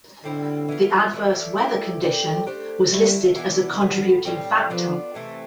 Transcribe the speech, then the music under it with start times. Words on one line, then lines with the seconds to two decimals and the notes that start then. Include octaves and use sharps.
The adverse weather condition was listed as a contributing factor.
0.24 A2 D3 G3 C4 E4
0.69 E3 B3 F4
1.14 E3 A3 D4
1.58 A3 E4 G4 D5
2.02 A3 C4 G4 D5
2.46 A3 D4 G4 C5
2.91 D3 G3 A3 C4 E4
3.36 E3 B3 D4
3.81 A2 F3 G3 B3
4.25 A2 G3 C4
4.69 F3 B3 D4 F4
5.14 C3 E3 A3 C4